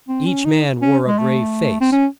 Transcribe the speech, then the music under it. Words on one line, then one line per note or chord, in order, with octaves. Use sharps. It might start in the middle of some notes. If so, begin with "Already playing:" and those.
Each man wore a grave face.
C4
C#4
D#4
C#4
G#3
A3
C4
C#4